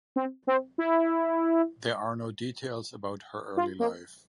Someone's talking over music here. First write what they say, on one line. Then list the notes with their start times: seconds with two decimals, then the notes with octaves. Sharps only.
There are no details about her early life.
0.16 C4
0.47 C4
0.78 E4
3.57 F4
3.79 A#3